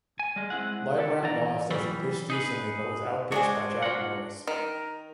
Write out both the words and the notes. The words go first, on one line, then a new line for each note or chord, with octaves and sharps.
Leibrandt lost as he pitched decently but was outpitched by Jack Morris.
G#5
G3 G#3
G#3 C4 E4 G#4 F#5
E4 G4 A4
E3 E4 A4 D5 A#5
E3 F#3 G3
D#4 G#4 B4
G#3 D4 F#4 C5 G#5
F4 F#4 F#5
D#3 A#4